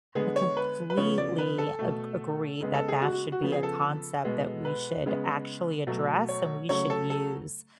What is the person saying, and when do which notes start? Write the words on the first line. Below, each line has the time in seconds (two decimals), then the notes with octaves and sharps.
I completely a agree that that should be a concept that we should actually address and we should use
0.15 D3 G#3 B3 G#4
0.36 C#5
0.57 B4
0.90 B4
0.97 C#3 F3 B3 C#5
1.18 D5
1.38 B4
1.58 A4
1.79 B2 A3
2.61 C#3 G#3 B3
2.74 A4
2.88 G#4
3.02 F#4
3.12 F#4
3.32 F#4
3.42 C#3 F3 B3
3.52 G#4
3.63 A4
4.24 B2 G#3 B3
4.65 B4
5.06 C#3 G#3 B3
5.87 B2 F#3 A3
6.29 C#5
6.69 C#3 F#3 A3 C#5
6.90 A4
7.10 A4